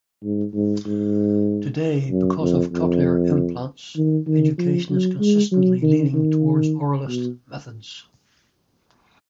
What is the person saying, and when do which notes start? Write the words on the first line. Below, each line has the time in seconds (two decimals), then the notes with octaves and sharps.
Today, because of cochlear implants, education is consistently leaning towards oralist methods.
0.24 G#2
0.54 G#2
0.86 G#2
2.10 F#2
2.41 F2
2.72 F2
3.96 D#3
4.27 D#3
4.58 F3
4.89 F#3
5.20 G#3
5.51 F#3
5.82 D#3
6.14 D#3
7.07 B2